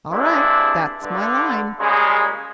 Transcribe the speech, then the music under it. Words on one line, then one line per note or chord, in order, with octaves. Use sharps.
"All right--that's my line."
D2 G2 C3 G#3 D4 E4
G2 D3
A#2 C#3 G3 G#3